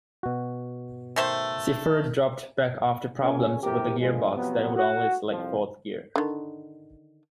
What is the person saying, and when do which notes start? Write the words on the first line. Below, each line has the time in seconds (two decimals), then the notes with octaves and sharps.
Siffert dropped back after problems with a gearbox that would only select fourth gear.
0.23 B2 F#4
1.16 D#3 A3 C5
3.21 A#2 C#3 C#4
3.62 E2 A2 C3 G4 A#4
3.99 A#2 D3 F3 G#3
4.35 C3 F3 F#3 B3
4.75 F#4
5.30 C2 F2 F3
6.16 D3 D#3